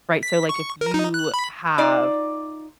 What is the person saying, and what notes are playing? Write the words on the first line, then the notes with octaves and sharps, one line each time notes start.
Right, so, like, if you have
B6
C#6
A#4
D#4
F#6
B5
D#4 F4 D5